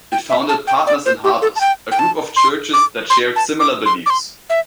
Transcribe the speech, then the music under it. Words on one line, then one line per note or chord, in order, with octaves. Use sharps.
It founded Partners in Harvest, a group of churches that shared similar beliefs.
G5
E5
A5
G5
D5
C5
G4
A4
A5
G5
G5
A5
C6
D6
C6
A5
D6
C6
D6
C6
E5